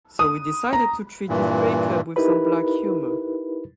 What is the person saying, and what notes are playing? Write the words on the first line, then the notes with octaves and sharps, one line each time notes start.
So we decided to treat this breakup with some black humor.
D#6
A#5
G2 A#2 E3
D#4 E4 G4 A#4 B4 B5